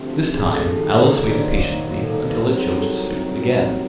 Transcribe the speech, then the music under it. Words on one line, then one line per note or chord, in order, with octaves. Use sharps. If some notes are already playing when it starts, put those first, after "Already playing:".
This time Alice waited patiently until it chose to speak again.
Already playing: D2 C3 F3 G4
G#4
G4 A4
G#4
G4 A4
D#3 F#3 A#3 G4 A4
G#4 A#4
G4 A4
G#4
C5 D5
A#4 C5
A4
A#4
B4
C2 C3 D#3 F#3 A#4 C5
G#4 A#4
G4 A4